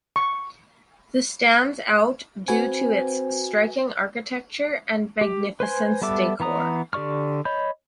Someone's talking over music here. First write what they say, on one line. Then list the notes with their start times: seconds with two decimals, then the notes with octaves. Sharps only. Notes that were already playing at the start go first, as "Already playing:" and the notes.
The stands out due to its striking architecture and magnificence decor.
0.16 C#6
2.48 C4 F#4 B4 G#5
5.21 G4
5.60 B4 C5 G#5 C6
6.02 G3 B3 A4 E5 D6
6.40 E3 B3 A#5 D#6
6.93 D3 G4 D5 C#6 F6
7.45 C#5 D#5 B5 G6